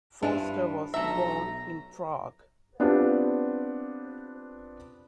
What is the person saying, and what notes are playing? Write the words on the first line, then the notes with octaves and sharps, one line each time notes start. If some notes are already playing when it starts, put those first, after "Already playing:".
Foerster was born in Prague.
G2 E3 F3 D4
B1 A3 E5 A#5
B3 C4 D4 F4 G4